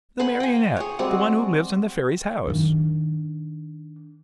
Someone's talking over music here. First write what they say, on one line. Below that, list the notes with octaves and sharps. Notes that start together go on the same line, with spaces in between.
"The Marionette; the one who lives in the Fairy's house."
C5 F#5 G#5 B5
G5 G#5
G#4 C#5
G3 G#3 C4 F#4
D#3 D4